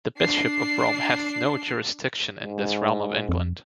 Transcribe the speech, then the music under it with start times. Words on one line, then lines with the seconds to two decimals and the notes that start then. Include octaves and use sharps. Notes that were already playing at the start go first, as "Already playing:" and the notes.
The Bishop of Rome hath no jurisdiction in this Realm of England.
0.18 D4 C7
2.41 G#2
3.29 F2